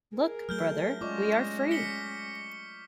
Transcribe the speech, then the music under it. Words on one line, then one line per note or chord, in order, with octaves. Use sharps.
Look, brother, we are free!
G#4 A#4
F#3 A3 F6 G6 G7
G#3 C#4 F4 D5 D#5 C#6 D6 A#6
B6 C#7 G7